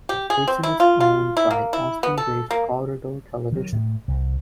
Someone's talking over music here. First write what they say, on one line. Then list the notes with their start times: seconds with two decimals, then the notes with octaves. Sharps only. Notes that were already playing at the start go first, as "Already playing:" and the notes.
The station is owned by Austin-based Corridor Television.
0.09 G4
0.30 G#4
0.48 C4
0.63 E4
0.80 F4
1.00 F4
1.37 E4
1.51 A#3
1.73 E4
2.03 B3
2.17 A4
2.51 A#3
3.52 D#3 F#3
3.72 A2
4.08 C2